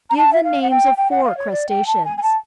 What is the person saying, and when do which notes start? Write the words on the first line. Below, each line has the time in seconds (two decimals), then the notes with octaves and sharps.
Give the names of four crustaceans.
0.09 A#5
0.17 A5
0.32 E5
0.43 F5
0.62 F#5
0.70 G5
0.97 G5
1.10 F#5
1.24 F5
1.37 C#5
1.51 D5
1.69 G5
1.86 A5
2.04 G#5
2.17 G#5
2.22 A5